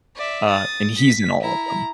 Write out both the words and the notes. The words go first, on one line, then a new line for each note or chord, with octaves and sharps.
uh, and he's in all of them.
D5 E5
D#6 A6
B6
E4 A#5